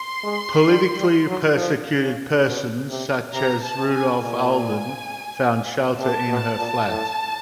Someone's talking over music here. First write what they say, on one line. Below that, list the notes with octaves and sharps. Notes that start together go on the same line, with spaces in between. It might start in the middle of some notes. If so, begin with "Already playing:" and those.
Politically persecuted persons such as Rudolf Olden found shelter in her flat.
Already playing: C6
G#3
G3
G3
F#3
F3
C#3
B2
C3
C3 A#5
A5
C3
G#5
A#2 G#5
C3 A5
B2
A#2
A2